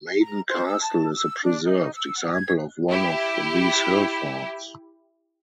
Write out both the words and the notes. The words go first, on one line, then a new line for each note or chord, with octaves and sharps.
Maiden Castle is a preserved example of one of these hill forts.
A#5
C5
E6
A5
E6
D4
D#4
E6
F#5
G#6
E4 G4